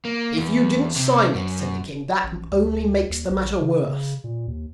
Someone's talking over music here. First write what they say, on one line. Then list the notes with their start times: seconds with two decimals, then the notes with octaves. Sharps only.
'If you didn't sign it,' said the King, 'that only makes the matter worse.
0.05 A#3
0.38 E2
0.96 C3
1.34 F#2
2.24 A1
2.51 D2
3.10 D#2
3.30 A#1
3.60 C#3
4.24 A#2
4.47 D#2